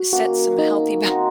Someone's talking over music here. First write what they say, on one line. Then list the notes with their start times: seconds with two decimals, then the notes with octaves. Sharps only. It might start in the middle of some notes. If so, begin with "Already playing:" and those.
set some healthy boun
Already playing: F#4
0.13 D#3 A#3 C#4 F#4
0.59 D#4
1.03 C4 D#4 F#4 A#4